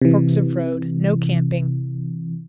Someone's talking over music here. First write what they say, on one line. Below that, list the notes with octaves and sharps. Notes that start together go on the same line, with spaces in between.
Forks of Road.--No camping.
C3 E3